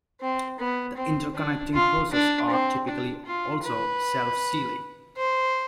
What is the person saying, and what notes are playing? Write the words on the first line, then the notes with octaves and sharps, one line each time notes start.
The interconnecting hoses are typically also self-sealing.
C4
B3
C4
D4
F4
D4
C4
D4
F4
B4
C5